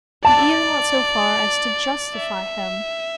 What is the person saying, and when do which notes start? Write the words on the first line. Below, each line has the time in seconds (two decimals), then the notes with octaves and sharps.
He even went so far as to justify him.
0.25 D5 A5
2.15 E5